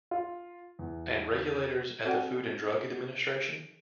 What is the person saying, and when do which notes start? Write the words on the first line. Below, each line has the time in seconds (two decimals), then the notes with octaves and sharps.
And regulators at the Food and Drug Administration?
0.11 F4
0.79 E2
2.05 C4 F#4 A4 D5 F#5 G5